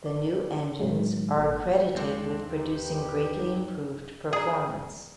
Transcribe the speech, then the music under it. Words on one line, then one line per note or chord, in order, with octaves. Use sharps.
The new engines are accredited with producing greatly improved performance.
D5
A2 D#3 F#3 G#3
G#1 A#2 A#3 A4
D#2 G#3 C4 D4
D#4 G4 B4
G#4 D5 A#5